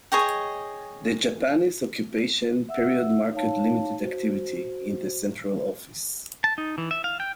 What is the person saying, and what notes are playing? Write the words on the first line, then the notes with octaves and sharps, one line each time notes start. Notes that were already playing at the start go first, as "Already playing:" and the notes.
The Japanese occupation period marked limited activity in the Central Office.
G#4 C#5 D#5 G5
E5 F#5 E6
D#4 C#5 F5 A5
F#4 C5
A5
D#4
E3
E5
F5
G5